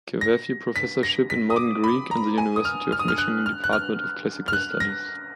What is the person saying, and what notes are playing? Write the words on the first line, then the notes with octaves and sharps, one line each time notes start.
Cavafy Professorship in Modern Greek and the University of Michigan Department of Classical Studies.
A#6
B6
A#6
B6
D#6
D6
B5
A#5
G#5
D#6
F6
F6
D#6
F6
F#6
F6
F#6
F6
F6
F#6
A#6